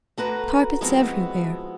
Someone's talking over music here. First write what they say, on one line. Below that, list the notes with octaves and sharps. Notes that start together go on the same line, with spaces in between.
Carpets everywhere.
A3 F#4 B4 A#5
F3 G#3 B3 C4 E4 F#4